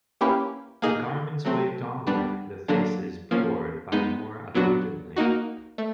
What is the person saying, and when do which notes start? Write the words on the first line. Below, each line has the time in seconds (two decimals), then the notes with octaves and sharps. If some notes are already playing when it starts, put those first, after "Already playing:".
The garments waved onward, the faces poured by more abundantly.
0.21 A#3 C#4 E4 G4 B4
0.82 A#3 D#4 G#4
1.45 F#3 A3 C4
2.07 G3 B3 D4
2.68 D3 F#3 A#3 D4
3.31 F3 A#3 C#4
3.92 G#3 B3 D#4
4.55 A#2 F#3 B3 D4 F#4
5.16 A#3 D#4 F#4
5.78 A3